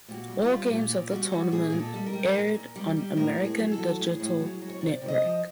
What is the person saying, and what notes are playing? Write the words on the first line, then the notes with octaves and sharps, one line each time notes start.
All games of the tournament aired on American Digital Network.
A#2 G4
F#4
G3
F4
G3
A#2 F4
A#2
G3 F#4
G3 F#4
A#2 G#4
A#2 G#4
A4
G3
A#4
G3
A#2
A#2
G3
G3
A2 A#4
A2
G#4
F#3
A4
F#3
A2 G#4
A2
F#3
F#3
C#5
C3 D5
C3
D#5
F3